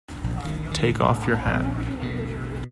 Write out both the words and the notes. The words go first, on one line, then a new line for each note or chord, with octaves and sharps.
Take off your hat.
A#1
D#3
D#3
A2
A#1
B2